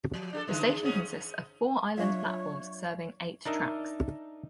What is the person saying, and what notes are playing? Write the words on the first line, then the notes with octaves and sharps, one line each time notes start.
The station consists of four island platforms serving eight tracks.
F3
D4 G4 A4
D3 E3 G#3
G#2 C#4 G#4
F#3 D4 F4 C#5 E5
D4 D#4 A#4 D#5 E5